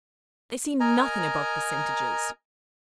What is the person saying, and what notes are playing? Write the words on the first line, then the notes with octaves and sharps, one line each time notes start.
They see nothing above percentages.'
A#4 D#5 G#5 A#5